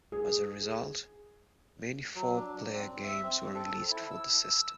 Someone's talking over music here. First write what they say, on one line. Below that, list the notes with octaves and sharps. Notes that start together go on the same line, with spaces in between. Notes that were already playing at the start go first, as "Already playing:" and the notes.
As a result, many four-player games were released for the system.
G#4
F#3
D4
C4
E5
C4
A4
E4
E6
E6